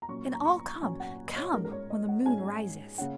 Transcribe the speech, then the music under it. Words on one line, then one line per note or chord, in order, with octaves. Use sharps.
"And all come--come when the moon rises."
A#5
A#2 F#3 C#4 C#6
A#5
C#6
A#2 F#3 C#4 G#5
F#5
D#5
C#5
G#2 G#3 C#4 A#4
A#4
C#5
D#5
F#5
G#2 G#3 C#4 G#5
C#3 A#3 C#4 F#5